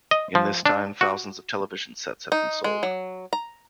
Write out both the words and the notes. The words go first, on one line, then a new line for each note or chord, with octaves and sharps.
In this time thousands of television sets had been sold.
D#5
F3
D4
F#4
D#4
G#3
F#3
A#5